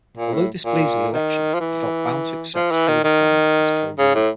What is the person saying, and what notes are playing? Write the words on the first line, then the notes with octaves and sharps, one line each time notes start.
Although displeased with the election, he felt bound to accept Hildeprand as co-ruler.
A#2
A2
A#2
D#3
F3
E3
F3
E3
D#3
D#3
C#3
A2